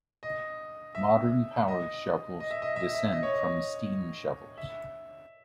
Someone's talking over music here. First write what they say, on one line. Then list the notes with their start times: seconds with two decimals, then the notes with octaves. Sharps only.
Modern power shovels descend from steam shovels.
0.23 D#5
0.95 E5
1.68 D#5
2.40 D#5
2.51 E5
2.62 D#5
2.76 E5
2.94 E5
3.12 D#5
3.23 C#5
3.34 D#5
4.58 E5